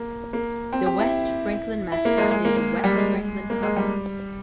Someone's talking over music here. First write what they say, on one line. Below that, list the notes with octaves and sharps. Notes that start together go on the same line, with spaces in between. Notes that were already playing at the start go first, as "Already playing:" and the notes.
The West Franklin mascot is West Franklin Falcons.
Already playing: A#3
A#3
C4
G4
E4
E4
A#3
G#3
G#3
A#3
A#3
G3
G#3
A#3
G#3
G3